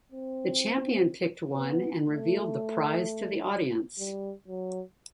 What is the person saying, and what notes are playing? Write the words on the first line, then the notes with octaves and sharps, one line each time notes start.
The champion picked one and revealed the prize to the audience.
C4
B3
A3
G3
F#3